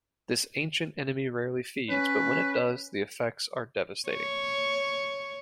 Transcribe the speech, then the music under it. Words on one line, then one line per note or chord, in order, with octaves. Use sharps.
This Ancient Enemy rarely feeds, but when it does, the effects are devastating.
C#4 B4
C#5